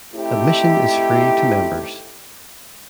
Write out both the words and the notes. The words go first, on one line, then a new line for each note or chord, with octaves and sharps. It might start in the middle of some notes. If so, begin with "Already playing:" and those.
Admission is free to members.
A3 C4 D#4 E4 G4